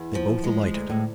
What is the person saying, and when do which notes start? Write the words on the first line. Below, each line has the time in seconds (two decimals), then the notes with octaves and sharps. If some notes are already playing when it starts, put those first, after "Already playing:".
They both alighted.
Already playing: E2
0.15 F3
0.44 G#3
0.74 D2
0.90 A2